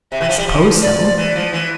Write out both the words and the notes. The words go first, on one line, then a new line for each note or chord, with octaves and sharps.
"I suppose so."
C3 E5
E3
F3
G3
F3
D5
E3
F3
E3